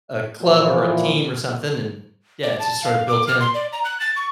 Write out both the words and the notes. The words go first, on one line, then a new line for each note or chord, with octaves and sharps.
a club or a team or something, and Yeah, it's just sorta built-in,
A#2 E3 F3
D5
A5
F5
D6
F6
C6
D5
A#5
F#6
A6
C#6